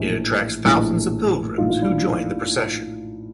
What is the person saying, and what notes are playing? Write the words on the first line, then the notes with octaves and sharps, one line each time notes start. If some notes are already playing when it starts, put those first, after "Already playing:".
It attracts thousands of pilgrims who join the procession.
Already playing: A#1 A2 E3
A#1 A2 E3
A#1 A2 E3 D#4 F4
F4
D4 E4